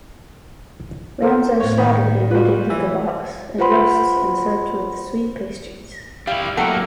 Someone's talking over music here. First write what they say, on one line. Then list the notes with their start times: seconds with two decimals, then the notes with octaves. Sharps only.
Rams are slaughtered and made into kebabs and roasts and served with sweet pastries.
1.22 A4 A#4 C5
1.60 A2 B3 C#5
1.78 D#3 B5
2.31 G3 F4 F#4 B4
2.70 E3 E5
3.58 F4 B4 C5 F#5 B5 C6
6.27 G3 E4 F5
6.57 B1 F#3 A3 A#3 E4 A4 F#5 G5